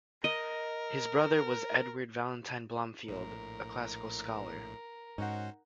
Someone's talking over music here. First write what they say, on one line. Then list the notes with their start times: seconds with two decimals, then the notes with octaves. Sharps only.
His brother was Edward Valentine Blomfield a classical scholar.
0.24 A#4 D#5
3.08 A#1 A2 A#4
5.18 G#2 C#4 D#4 F#4 C5 F#5